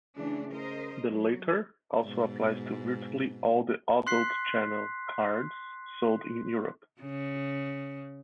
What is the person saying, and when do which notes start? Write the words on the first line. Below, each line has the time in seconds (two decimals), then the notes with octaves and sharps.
The latter also applies to virtually all the Adult channel cards sold in Europe.
0.17 C#3 E3 A3 D4
0.54 A#4 C5 D#5
1.07 F#3
2.04 G#2 B2
4.07 C6 F#6 B6 C7
7.02 C#3